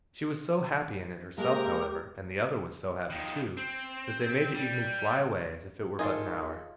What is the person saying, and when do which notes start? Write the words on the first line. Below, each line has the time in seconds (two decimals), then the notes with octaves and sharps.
She was so happy in it herself, however, and the other was so happy too, that they made the evening fly away as if it were but an hour.
1.38 G#3 A#3 G4 A#4
3.10 D#3 F3
3.57 C4
4.55 G3
5.99 D#3 D#4 F4 G#4 A4